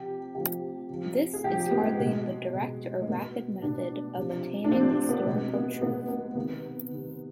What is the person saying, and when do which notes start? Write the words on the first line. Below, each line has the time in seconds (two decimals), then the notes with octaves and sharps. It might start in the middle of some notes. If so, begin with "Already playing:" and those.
This is hardly the direct or rapid method of attaining historical truth.
Already playing: C3 F3 G4
0.35 C3 F3 G4
0.89 C3 F3
1.34 G#4
1.44 C3 F3 G4
1.71 B3
1.83 G#3
1.99 B2
2.07 G#3
2.54 B2
3.02 G#3
3.08 B2 B3
3.62 B2 D4
4.17 C3 F3
4.64 D4
4.72 C3 F3 C4
4.91 C4
5.09 B3
5.26 B2 G#3
5.54 B3
5.82 B2 B3
6.08 B3
6.35 C3 D#3 B3
6.91 C3 D#3